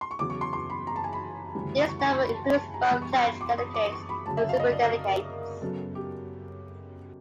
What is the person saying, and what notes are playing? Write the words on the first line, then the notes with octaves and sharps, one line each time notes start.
This number includes both pledged delegates and superdelegates.
C6
C#6
E2 C#3 F#3 D6
C#6
C6
C6
B5
A#5
A5
G#5
B5
D2 C#3 E3 G3
C#6
C#6
C6
B5
A5
G#5
A5
A#5
E2 B2 G3 B3 B5
C#6
C6
B5
D6
D#6
D6
C#6
B5
D2 C#3 F#3 A5
E5
F5
D#5
D5
A#4
F#2 C#3 F#3 B3 A4
G4